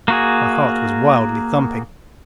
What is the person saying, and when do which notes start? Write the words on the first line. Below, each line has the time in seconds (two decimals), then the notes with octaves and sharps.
My heart was wildly thumping.
0.08 A#3 F#4 G#4